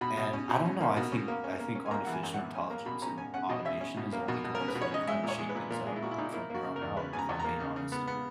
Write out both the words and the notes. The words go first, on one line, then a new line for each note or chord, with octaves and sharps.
and I don't know, I think I think artificial intelligence and automation is only going to kinda shake things up from here on out, if I'm being honest.
B2 B5
B2
C#4
B2
C#4
A#3
B2
C#4
A#3
C#4
A#3
C#4
G#5
A#3 A#5
E3 F#5
G#5
F#2
E3 F#5
C#4 G#5
A#3 A#5
B2 B5
C#4 A#5
C#4 G#5
C#4 F#5
B2 D#5
C#4 E5
C#4
B2
A#3
B2
B2
A#4
C#4
B4
B2
C#5
C#4 D#5
G#3 E5
A#2 C#5
G#3
B4
A#2
A#2 A#4
G#3 G#4
E4
A#2 F#4
E4
A#2 D#4
A#3 E4
A#3 F#4
C#3
A#4
E2
C#3 B4
C#3 G#5
A#5
E2
A#3 A#5
C#3
C#3
B3
B3